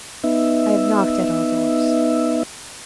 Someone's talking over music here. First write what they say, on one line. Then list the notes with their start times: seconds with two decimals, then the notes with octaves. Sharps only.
"I have knocked at all doors."
0.24 B3 D#4 E5